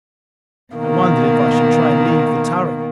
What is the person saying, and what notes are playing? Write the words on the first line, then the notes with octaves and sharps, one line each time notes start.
I wondered if I should try and leave the turret.
B2 D#3 A#3